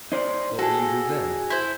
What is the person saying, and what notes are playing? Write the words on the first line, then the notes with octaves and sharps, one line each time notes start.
"What will you do then?"
D#4 C5 D5
F#4 G#4 A4
E4 C5